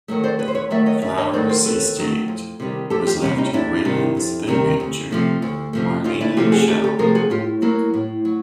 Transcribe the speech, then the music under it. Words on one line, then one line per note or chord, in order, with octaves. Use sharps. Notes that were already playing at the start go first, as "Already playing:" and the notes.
Flowers' estate was left to Wayland's then-manager, Marlena Shell.
D#3 F#3 A3
C5 D5
D#2 B4 C#5
C5
B4 C#5
D#3 F#3 A3 D5 E5
C#5 D#5
D#2 D5 E5
C#5 D#5
D#3 F#3 A3 C5 D5
A#4 C5
D#2 A4 B4
D#3 F#3 A3
F2
C3 D#3 G3
F2 G4 A4
F4 G4
C3 D#3 G3 B3 C#4
C#4 D#4
F2 D4 E4
C3 D#3 G3
F2
C3 D#3 G3
D2
C3 F3 A3
D2
C3 F3 A3
D2 D#4 F4
D4 E4
C3 F3 A3 F4 G4
F#4 G#4
D2 G4 A4
G4 A4
C3 F3 A3 G#4 A#4
F#4 G#4
A2 F4 G4
F#3 A#3 E4 F#4
A2
F#3